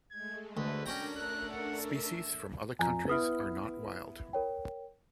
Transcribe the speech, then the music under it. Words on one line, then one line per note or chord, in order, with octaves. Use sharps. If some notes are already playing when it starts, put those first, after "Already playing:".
Species from other countries are not wild.
G#3 A3 G#6
D2 D3 B4
C#4 D4 F#4 A#4 G5 A#5
A3 A4 F#6
F#5
E5
F2 G#5 A#5
B3 E4 B4 D#6 F6
A#4 C#5 G5